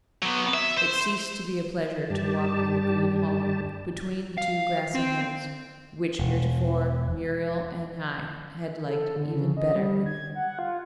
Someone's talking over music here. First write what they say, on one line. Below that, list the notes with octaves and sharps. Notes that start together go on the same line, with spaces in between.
It ceased to be a pleasure to walk in the green hollow, between the two grassy hills, which heretofore Muriel and I had liked even better than the Flat.
F#3 B3
E5
C5
G2 G3 G4 A5
F5
C4
E1
A4
D3
C#3
D#5
G3
G#6
F#5
F4